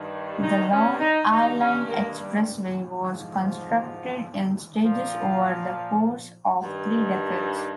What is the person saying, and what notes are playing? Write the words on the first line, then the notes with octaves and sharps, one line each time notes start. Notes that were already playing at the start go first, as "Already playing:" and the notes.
The Long Island Expressway was constructed in stages over the course of three decades.
Already playing: G2 D#3
D#4
C#4
D#4
G2 D#3 D#4
C#4
A#3
G3
G#2 F3
A#2 F3
G2 D#3